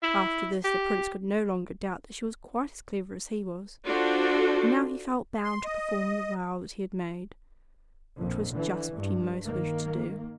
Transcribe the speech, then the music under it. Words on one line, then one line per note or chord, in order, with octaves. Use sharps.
After this the Prince could no longer doubt that she was quite as clever as he was, and now he felt bound to perform the vow that he had made, which was just what he most wished to do.
E4
G4
D4 F4 F#4 A4 C5
C6
D#5
A#1 F2
D3 E3
G2
D#3 A#3